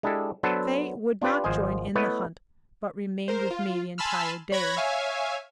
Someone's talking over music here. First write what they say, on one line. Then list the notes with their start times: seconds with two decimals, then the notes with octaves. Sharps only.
Faye would not join in the hunt, but remained with me the entire day.
0.03 G#3 D4 E4 G4 A4
0.43 F#3 B3 D4 A4 B4 C5
1.22 D4 F4 G4 B4 D5
1.44 G#1 F3 C5 D#5 G#5
1.95 A3 B3 E4 B4 C#5 D#5
3.28 A#4 C5
3.51 F4
3.98 G#5 A5 B5 C6 E6 F6
4.52 C#5 B5 F#6 G#6 A#6
4.76 C#5 E5 F5 G#5